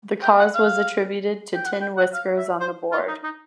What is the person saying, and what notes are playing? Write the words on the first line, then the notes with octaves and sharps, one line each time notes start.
The cause was attributed to tin whiskers on the board.
G5
F#5
F5
G5
F#5
G5
F#5
F5
E5
C5
F4
D#4
D#4